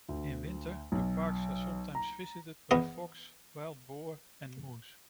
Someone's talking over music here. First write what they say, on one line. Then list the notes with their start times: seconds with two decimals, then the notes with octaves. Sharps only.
In winter, the parks are sometimes visited by fox, wild boar and moose.
0.09 D2
0.92 B1
1.95 A#5
2.71 E2 B3 D#5